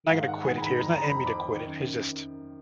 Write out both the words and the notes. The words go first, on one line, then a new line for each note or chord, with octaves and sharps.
I'm not gonna quit it here, it's not in me to quit it, it's just,
G#2 F5
D#3 F#5
G#2 G#5
B5
D#3 A#5
F2 A#5
F2 A#5
B5
F2
D6
F2
D#3
F#2